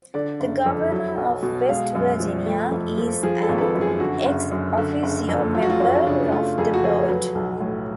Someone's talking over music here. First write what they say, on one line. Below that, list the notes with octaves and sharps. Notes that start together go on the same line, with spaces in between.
The Governor of West Virginia is an Ex-officio member of the board.
D3 D5
F#1
F2
F#3
B1
B2
G#3 F5
F#2
F3
A3
F2
F3
F3 G#4
A4
G#1
B4
A4
F#2
G#4
D3 F#4
F#1
F#2
D3
F#1
F2
F#3 F4
F#4
F4
F#2 C#4
C#4
C#3 D4
A3 F4
F2 G#4
F#4
F3 G#4
C#5
F#3 B4
B1
A2